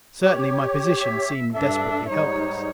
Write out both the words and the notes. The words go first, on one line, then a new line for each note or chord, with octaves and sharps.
Certainly my position seemed desperately helpless.
G4 C#5
E5
G2 D4 A4 E5
G#2 G3 D#4 C#5